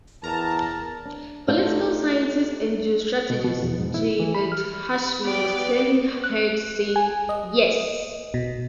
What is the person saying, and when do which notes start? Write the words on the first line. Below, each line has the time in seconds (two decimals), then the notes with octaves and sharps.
Political scientist and geostrategist Javed Hashmi was clearly heard saying: Yes!
0.24 E2 A#4 A5 A#5
1.05 D4
1.48 A3 D4 D#4 F4 D5
3.30 B2
3.45 B2
3.63 E2
3.80 G#2
3.94 E4
4.20 E3
4.35 B5
4.52 F6
4.90 B5
5.24 B3 D5 G5
6.24 F#6
6.96 G#5
7.29 D#5
8.34 B2